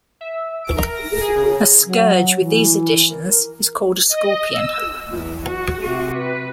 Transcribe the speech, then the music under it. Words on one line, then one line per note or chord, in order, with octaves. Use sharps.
A scourge with these additions is called a scorpion.
E5
D7
A#4
A#6
G#4
C#3
F#3
E3
A#4
D#5
E6
E2
F#4
C3 F#4
B4